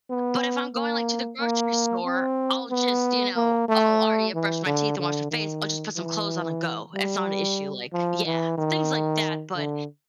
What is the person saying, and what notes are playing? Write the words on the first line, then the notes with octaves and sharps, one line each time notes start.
But, if I'm going, like, to the grocery store, I'll just, you know Oh, already I brushed my teeth, and wash my face, I'll just put some clothes on and go, it's not an issue, like yeah, things like that, but
B3
A#3
A#3
C4
B3
A#3
A3
E3
D3
D3
D#3
E3
G3
F3
E3
D#3
D3